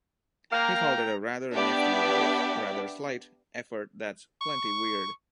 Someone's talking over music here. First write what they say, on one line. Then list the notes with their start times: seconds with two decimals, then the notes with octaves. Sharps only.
He called it a "rather nifty, if rather slight, effort that's plenty weird".
0.52 A#3 F5 G5 A#5
1.53 B3 D4 G4 D5 E5
4.42 C#6